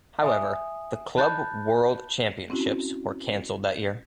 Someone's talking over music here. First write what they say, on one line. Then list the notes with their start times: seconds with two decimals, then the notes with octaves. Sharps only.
However, the Club World Championships were cancelled that year.
0.22 E5 G#5 D#6
1.17 A5 B5 F#6 G6 A6
2.50 C4 C#4 E4 F#4